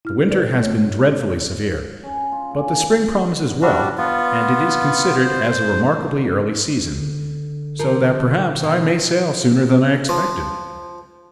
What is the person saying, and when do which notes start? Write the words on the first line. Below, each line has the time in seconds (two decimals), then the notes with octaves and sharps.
The winter has been dreadfully severe, but the spring promises well, and it is considered as a remarkably early season, so that perhaps I may sail sooner than I expected.
0.05 E4 F6
0.31 A4 B4 C5 D5
0.59 A3 C#5
2.03 C#4
2.32 F4
2.51 G#4
2.67 A#2
3.62 G3 D4 F#4
3.98 B3 F4
5.20 C5
6.97 D3
7.79 F3 A#4
8.64 B2
10.09 F3